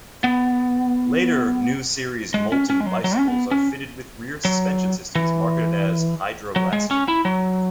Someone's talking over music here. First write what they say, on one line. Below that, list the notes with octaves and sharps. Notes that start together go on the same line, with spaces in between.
Later 'New Series' Moulton bicycles are fitted with rear suspensions systems marketed as 'Hydrolastic'.
B3
G#3
C#4
C#4
G#3
F#3
F#3
C#4
B3
C#4
F#3
E3
F#3
G#3
C#4
E4
F#3